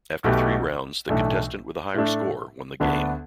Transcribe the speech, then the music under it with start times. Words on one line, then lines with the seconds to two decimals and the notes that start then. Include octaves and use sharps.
After three rounds, the contestant with the higher score won the game.
0.24 B1 B2 A3 G4 B4
1.09 B1 A2 E3 A3 D4
1.94 A2 A3 D4
2.80 D2 D3 B3 D4